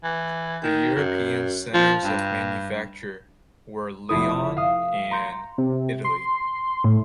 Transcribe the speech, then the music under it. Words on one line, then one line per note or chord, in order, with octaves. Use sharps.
The European centres of manufacture were Lyon and Italy.
E3
D#3
F#2
F3
G2
F1 A3 E4 D#6
E5
F5 D#6
A#5 C6 G6 C#7
C3
C6
A2